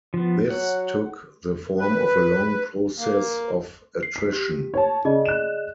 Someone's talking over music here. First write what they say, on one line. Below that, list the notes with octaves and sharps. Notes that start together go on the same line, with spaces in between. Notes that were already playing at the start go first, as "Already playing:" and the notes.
This took the form of a long process of attrition.
F3 B3
F#3 F#5
B4
A#3
C7
B6
G4
C#5 A5
C#3 G#4 D5 D#5
F#6 E7